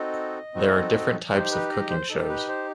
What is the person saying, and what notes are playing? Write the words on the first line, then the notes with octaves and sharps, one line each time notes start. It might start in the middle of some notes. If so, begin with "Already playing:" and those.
There are different types of cooking shows.
Already playing: C4 D#4 F#4 A4 D#5
C4 D#4 F#4 A4
D#4 G4 C5
B4
D#5
C5
D#4 G4 A4
B4
C5